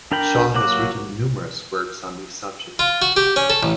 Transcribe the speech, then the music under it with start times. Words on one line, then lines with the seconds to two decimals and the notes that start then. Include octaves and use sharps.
Shaw has written numerous works on these subjects.
0.12 D4 A#4 G5 B5
0.55 F#3 A#3 F#4 F#5 D6
2.79 F4
3.02 F#4
3.17 G4
3.36 C#4
3.50 A4
3.63 A1